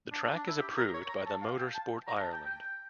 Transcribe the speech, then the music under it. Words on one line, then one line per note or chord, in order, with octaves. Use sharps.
The track is approved by the Motorsport Ireland.
D4
D4
D4
E4
G4
A#4
C#5
A#5
A5
F5
G5
A5
A#5
A5
G5
G5